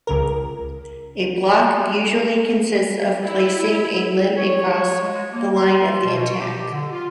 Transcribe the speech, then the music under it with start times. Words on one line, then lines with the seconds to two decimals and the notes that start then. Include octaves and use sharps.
A block usually consists of placing a limb across the line of the attack.
0.07 C#2 C#3 A#4
3.24 E4
4.37 C#5
5.02 G#3
5.33 A#3
5.56 C6
6.05 B2
6.40 G4
6.71 D3
6.92 F4